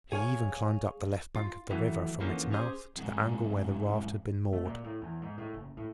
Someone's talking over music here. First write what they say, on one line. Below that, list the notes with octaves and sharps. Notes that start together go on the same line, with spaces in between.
He even climbed up the left bank of the river from its mouth to the angle where the raft had been moored.
G#4 C#5 F5 G#5
F4
D#3 E3 F#3 A3
D3 E3 F3 A#3 B3 C#4
C#4 G4 G#4 C5
F2 G#2
A3
A#2
A2
E2
G#2
A2
F#1
A2